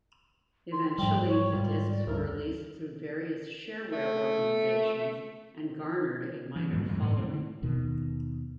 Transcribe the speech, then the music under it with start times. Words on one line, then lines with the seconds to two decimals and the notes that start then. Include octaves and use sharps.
Eventually the disks were released through various shareware organizations and garnered a minor following.
0.72 C6
0.98 G#2 F3 G3 G5
1.28 C#5
1.53 G#2 G3 F4
1.89 D5
2.07 D2 G2 A#4
3.92 A3
6.56 E3
6.71 D#2 G#2 D3 F#3
6.88 F#2 E3
7.01 G#2 B3
7.17 D3 C4
7.62 D#2 B2 D#3